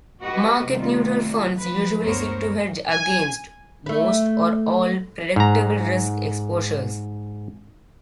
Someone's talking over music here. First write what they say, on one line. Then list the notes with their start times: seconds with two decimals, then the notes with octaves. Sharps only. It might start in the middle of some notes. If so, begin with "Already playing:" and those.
Market neutral funds usually seek to hedge against most or all predictable risk exposures.
0.22 F#4 G4 B4 D#5
0.70 C3 D#3 G3 A3 F4
1.56 F3 B4
2.02 D2 G2 B3 A#4 C5 C#5
2.90 G#5
3.86 A3 B4
5.36 G#2 A#5